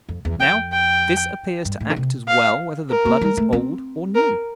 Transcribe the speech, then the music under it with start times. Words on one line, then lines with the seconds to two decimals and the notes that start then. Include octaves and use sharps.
Now, this appears to act as well whether the blood is old or new.
0.09 F2
0.25 E2
0.40 F2 G5
0.72 G5
1.65 G2
1.80 A2
1.90 D3
1.96 C3
2.28 F5
2.90 A#4
3.05 A#3
3.21 G3
3.37 A3
3.53 C4
4.15 A#4